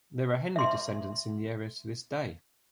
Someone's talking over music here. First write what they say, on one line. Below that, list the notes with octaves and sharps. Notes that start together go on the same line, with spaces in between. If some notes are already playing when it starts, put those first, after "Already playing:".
There are Henry descendants in the area to this day.
E5 C6